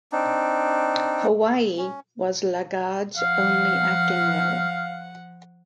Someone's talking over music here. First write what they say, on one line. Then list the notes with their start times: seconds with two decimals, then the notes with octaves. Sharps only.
"Hawaii" was LaGarde's only acting role.
0.12 C4 D4 D#4
1.78 C#4
3.17 F3 F5 F#5